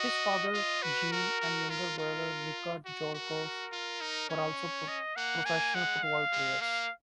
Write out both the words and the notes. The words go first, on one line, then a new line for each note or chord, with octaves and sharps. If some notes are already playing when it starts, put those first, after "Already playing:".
His father, Jean, and younger brother, Micha Djorkaeff, were also professional football players.
Already playing: F#4 D#5
F4
F#4 B4
F#4 A#4
F#4
F4 A#4
F4 A#4
F#4
F#4 A#4
F4
D#4
C#4 C#5
D#5
A#3 F#5
A#3 G#5
G#3 F#5
F5
G#3
A#3 F5